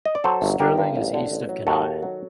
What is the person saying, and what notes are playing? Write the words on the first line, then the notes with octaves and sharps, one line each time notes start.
Sterling is east of Kenai.
D#5
D5
F#3 A4 C5
G1
G1 G4 A#4
G2
A1
D3
A1
F#3
D#2 F#4 A4
D#3
F#3